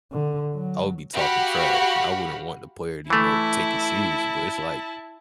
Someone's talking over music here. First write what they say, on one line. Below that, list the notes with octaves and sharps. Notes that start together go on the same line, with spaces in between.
I would be talking trash, and I wouldn't want the player to, you know, take it seriously, but it's, like,
D3
F#3
F#4 G4 F5 F#5 B5
E3 A3 E4 A5